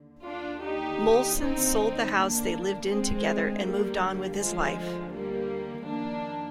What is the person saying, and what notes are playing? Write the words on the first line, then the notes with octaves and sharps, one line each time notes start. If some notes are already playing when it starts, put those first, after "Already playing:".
Molson sold the house they lived in together and moved on with his life.
Already playing: D#2 D3
D4 F4
D#4 G4
C4 D#4
A#3 D4
D2 D3 G#3 C4
G3 A#3
F3 G#3
G3 A#3
F2 D#3 A#3 D4